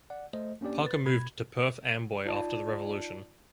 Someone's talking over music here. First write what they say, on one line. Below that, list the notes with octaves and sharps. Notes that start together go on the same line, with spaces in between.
Parker moved to Perth Amboy after the Revolution.
D5 F#5
A3 C5 D#5
A#3 C#4 D4 G4 D5
B4 A6
B2 B5 G#6
D#4 F4 D5 A5